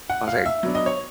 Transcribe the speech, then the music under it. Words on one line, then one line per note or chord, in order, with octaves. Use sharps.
I was like
F#5
F5
E5
F#3 B3 D4
D#5
C#5